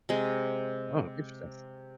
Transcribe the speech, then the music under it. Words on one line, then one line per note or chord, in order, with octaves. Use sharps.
Oh, interesting.
C3 G#3